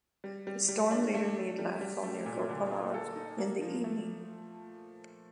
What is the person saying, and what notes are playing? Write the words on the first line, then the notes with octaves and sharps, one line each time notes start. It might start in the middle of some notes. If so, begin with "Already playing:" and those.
The storm later made landfall near Gopalpur in the evening.
G3
G3
G3
D4
A3
A3
G3
G3
A3
A#2
D3
A#3
A4
D#4
A#3
F3
A3